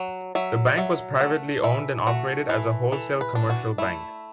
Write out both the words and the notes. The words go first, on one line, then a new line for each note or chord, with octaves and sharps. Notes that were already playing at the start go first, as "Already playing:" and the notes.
The bank was privately owned and operated as a wholesale commercial bank.
Already playing: F#3
F#3 E5
D5
F#3 E5
A3 F#5
E3 E5
A3 F#4
E3
E3 A4
B4
D4
F#4
A3 E4